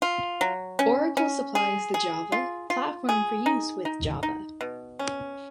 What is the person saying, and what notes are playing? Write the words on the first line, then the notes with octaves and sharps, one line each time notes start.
Oracle supplies the Java platform for use with Java.
F4
F#3
C#4
C#4
G#4
G#4
F4
F4
G#4
D#4
D#4
D#4
B2
C#4